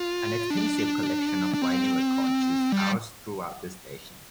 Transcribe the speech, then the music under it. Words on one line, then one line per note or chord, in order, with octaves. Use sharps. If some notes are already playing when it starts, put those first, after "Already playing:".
An extensive collection of vinyl records is housed throughout the station.
Already playing: F4
D4
D4
C4
G3